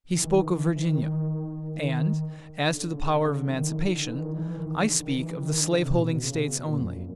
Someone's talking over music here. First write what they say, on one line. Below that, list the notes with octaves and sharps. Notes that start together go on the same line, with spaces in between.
He spoke of Virginia; and, as to the power of emancipation, I speak of the slave holding States only.
E3
D#3
E3
D#3
D#3
E3
E3
D#3
D3
D3
C#3
D3
D#3
E3
D#3
D#3
D3
E3
D#3
E3
D#3
D3
D#3
E3
D#3
D#3
D3
C3
A#2
B2
C#3
B2
A#2
F2
F#2